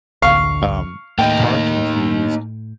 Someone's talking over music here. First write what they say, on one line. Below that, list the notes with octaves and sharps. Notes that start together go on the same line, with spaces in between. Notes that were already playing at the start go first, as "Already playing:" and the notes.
um, parking fees,
A1 D2 D3 F5 C#6
A2 A#3 D#4 G5